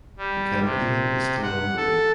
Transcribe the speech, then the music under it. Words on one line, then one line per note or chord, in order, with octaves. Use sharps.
The campaign is still ongoing.
G3
C3
F#5
A4